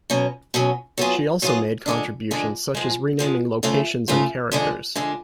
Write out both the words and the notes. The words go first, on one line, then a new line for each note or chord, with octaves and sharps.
She also made contributions such as renaming locations and characters.
B2 F#3 C#4
B2 F#3 C#4
F#3 B3 F4 G#4
F#3 B3 F4 G#4
F2 D3 G#3 D4
F2 D3 G#3 D4
G#2 F3 G#3
G#2 F3 G#3
C#3 F3 A3 F4
C#3 F3 A3 F4
F2 D3 G#3 D4
F2 D3 G#3 D4